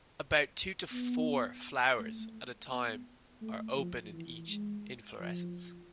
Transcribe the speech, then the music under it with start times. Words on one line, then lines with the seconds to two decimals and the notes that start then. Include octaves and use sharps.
About two to four flowers at a time are open in each inflorescence.
0.92 B3
1.99 A3
2.70 B3
3.41 A3
3.77 F3
4.12 E3
4.48 G#3
5.19 F3